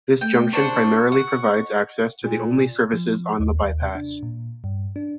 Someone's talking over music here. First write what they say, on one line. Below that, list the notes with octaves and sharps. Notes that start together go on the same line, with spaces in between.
This junction primarily provides access to the only services on the bypass.
A3 G5
D4 C5 F#5 C#6
F#5
A#2
F3
D#2
D#2
C3
D4
A#2
G2
D4